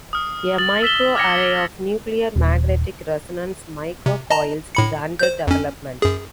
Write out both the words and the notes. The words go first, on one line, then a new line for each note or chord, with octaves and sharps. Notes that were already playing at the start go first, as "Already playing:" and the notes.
A microarray of nuclear magnetic resonance microcoils is under development.
D#6 F6
D#6 A6 F#7
E6 B6 E7 G7
D6 F6 G#6 A#6 C#7
D#1
C3
D#5 A5 A#5
A2 B5 C#7
C5 G6
F2 C#4
F#2 G#4